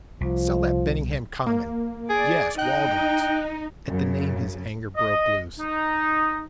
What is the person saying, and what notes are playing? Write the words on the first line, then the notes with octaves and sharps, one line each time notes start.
Sell that Benningham Common--yes, Waldron's.' At the name his anger broke loose.
C2 F3
A#3
G#4 D5
D#4 G5 F#6
F#2 C#3
D#5
D#4